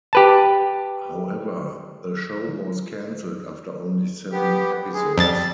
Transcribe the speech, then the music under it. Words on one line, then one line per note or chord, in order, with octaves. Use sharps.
However, the show was canceled after only seven episodes.
G4 B4 A5
B3 G4
G#3 G#4
F2 G3 A6